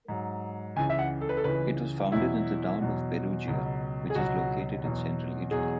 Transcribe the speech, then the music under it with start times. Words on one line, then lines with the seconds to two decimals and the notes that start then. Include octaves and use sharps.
It was founded in the town of Perugia, which is located in central Italy.
0.08 G#2 F#3
0.76 C#2 C#3 E3 G#5
0.89 E5
0.99 F#5
1.21 A4
1.29 B4
1.37 A4
1.44 C#2 C#3 E3 B4
2.12 E2 B2 F#3 E4
2.80 E2 B2 F#3
3.48 C#2 B2 F#3
4.10 G#4
4.15 C#2 B2 F#3 F#4
4.83 E2 B2 F#3
5.51 E2 B2 F#3 G#4